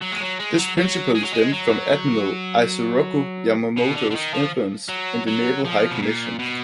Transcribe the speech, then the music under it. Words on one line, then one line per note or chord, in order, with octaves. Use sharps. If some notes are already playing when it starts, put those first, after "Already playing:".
This principally stemmed from Admiral Isoroku Yamamoto's influence in the Naval High Commission.
F#3
G#3
F#3
G#3
F#3
F#3
G#3
F#3
G#3
F#3
B2
D3
D3
D#3
F3
F#3
F#3
F3
B2
A#2
B2